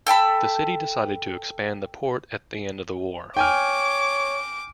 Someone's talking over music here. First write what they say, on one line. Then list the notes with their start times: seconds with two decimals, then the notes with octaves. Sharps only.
The City decided to expand the port at the end of the war.
0.07 A4 G5 A5 B5
3.37 C#5 G5 G#5 D6 F6